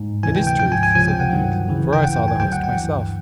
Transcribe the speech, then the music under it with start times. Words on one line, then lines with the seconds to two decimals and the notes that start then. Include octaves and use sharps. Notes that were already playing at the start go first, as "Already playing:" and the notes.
It is truth, said the knight, for I saw the host myself.
Already playing: G#2
0.23 D2 C3 E3 G#5
0.36 G5
0.47 G5
0.60 G#2 F3 G5
0.72 G#5
0.83 G#5
0.95 C#2 C3 F3 G#5
1.08 G5
1.20 F#5
1.32 G2 D#3 F#3
1.67 D2 C#3 E3
1.93 G5
2.03 G2 E3 F#5
2.16 G5
2.28 G#5
2.40 D2 D3 F#3 G5
2.52 F#5
2.64 G5
2.76 G2 E3